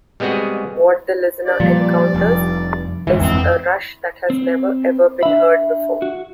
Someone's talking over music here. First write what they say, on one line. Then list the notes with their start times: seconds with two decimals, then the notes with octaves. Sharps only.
What the listener encounters is a Rush that has never "ever" been heard before.
0.20 G3 G#3 B3 C4 F#4 G#4
1.46 G2 D5
1.60 A#2 F3 G3
2.15 F1
3.07 G1 G#2 E3
3.21 F2 B3 C4
4.30 C4
5.23 D4 E5 B5
6.02 F#4